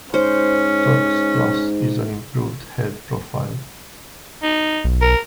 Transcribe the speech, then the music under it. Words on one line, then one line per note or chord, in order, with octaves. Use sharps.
Torx Plus is an improved head profile.
G#2 C#4 C5
D#4
B1
A#4